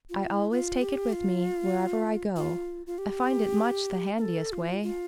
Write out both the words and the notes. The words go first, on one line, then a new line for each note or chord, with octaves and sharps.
"I always take it with me wherever I go; I find it much the handiest way."
F4
E4
F4
G4
F4
F4
F4
G4
A#4
A4
F4
F4